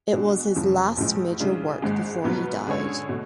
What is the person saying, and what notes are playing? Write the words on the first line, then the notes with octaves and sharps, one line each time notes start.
It was his last major work before he died.
B2 G#3 D4
F1 F2 F3 G#3 C#4
B1 A2 F3 G#3
C#3 G#3 D4 F4
G#1 G#2 G#3
B2 F#3 B3 F4 B4
D3 G#3 C#4 G#4 C#5
B2 A3